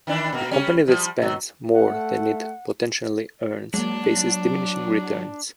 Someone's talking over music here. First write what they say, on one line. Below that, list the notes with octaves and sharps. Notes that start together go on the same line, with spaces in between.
A company that spends more than it potentially earns faces diminishing returns.
D#3 E3 D4
B2 A#3
G3 C#4
F3 G3
B2 F#3
A3 F#5
F#3 G#3 A#3 D4